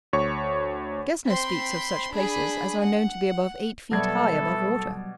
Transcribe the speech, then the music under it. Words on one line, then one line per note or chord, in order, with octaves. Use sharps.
Gesner speaks of such places as are known to be above eight feet high above water.
D2 C#5 C#6
C4 B5 C6
D4 G#4 B5
F#5
B2 F#3 G3 E4 A4 B4 D5 G#6